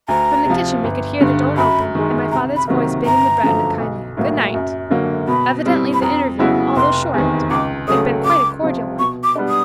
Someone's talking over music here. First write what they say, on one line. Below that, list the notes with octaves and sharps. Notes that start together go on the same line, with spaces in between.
From the kitchen we could hear the door open and my father's voice bidding the Breton a kindly "good night" Evidently the interview, although short, had been quite a cordial one.
D2 A#5
C3 F3
G1
G2 D3
F#2 B5
D#3 G#3
C2 A#5
B5
C3 D#3 F#3 A#3
G1 A#5
F#2 D3 F3 A3
B1
A2 F#3 A#3
F#2
D3 F#3 A#3
B2 B5
G3 C4 E4
B5
F2 A#5
C#3 F#3 B3 E4
F1 C6
E2 C3 D#3
C#2 D6
C#3 F#3 A3 C#4 D#6
C#2 D6
C3 F3
B2 C#6
D6
G3 B3 D4
D#6